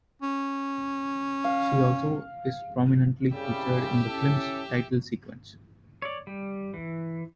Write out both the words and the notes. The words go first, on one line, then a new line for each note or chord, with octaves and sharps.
She also is prominently featured in the film's title sequence.
C#4
F5
C2 C#3 G3 G4 E5
C#4 E4 A4
C#5 D5
G3
E3